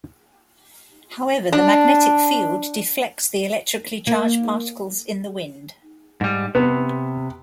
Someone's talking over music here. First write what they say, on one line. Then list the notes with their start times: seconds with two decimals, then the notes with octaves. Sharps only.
However, the magnetic field deflects the electrically charged particles in the wind.
1.52 D4
4.07 A#3
6.21 G#2 G3
6.55 C3 B3